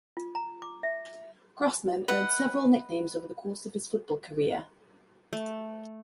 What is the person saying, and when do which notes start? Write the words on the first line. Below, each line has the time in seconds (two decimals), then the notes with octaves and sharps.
Grossman earned several nicknames over the course of his football career.
0.17 F4
0.35 A#5
0.62 D6
0.83 E5
2.08 B4 D#5 F#5
5.33 A3